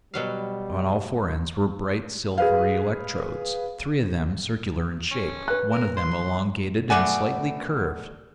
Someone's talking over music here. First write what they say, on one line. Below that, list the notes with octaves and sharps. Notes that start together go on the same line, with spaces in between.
On all four ends were bright silvery electrodes, three of them circular in shape, one of them elongated and slightly curved.
B2 F#3 G3 F5
G#4 B4 F5
C#4
B4 F#6
A#4
C6
B2 A3 D5 F#5 G#5